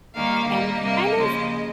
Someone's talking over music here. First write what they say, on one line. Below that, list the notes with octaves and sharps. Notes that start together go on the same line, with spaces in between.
and it's kind of,
D#2 D#3 G3 A#3 F5
A#2 G3 A#3 D#5
C3 G3 A#3
D#2 C#3 F3 G#3